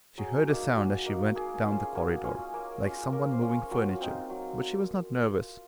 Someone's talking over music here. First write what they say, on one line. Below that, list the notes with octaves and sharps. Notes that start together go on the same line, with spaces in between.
She heard a sound as she went down the corridor, like some one moving furniture, but she was not nervous.
F#3 G#4
A#3 D#4
F#3 F#4
A#3 D#4
A#3 G#4
C#4 F4
A#3 F#4
C#4 F4
A#3
C#4 F4
A#3 A#4
C5
C#4 F4
C#5
F#3 F4
C4 D#4
F#3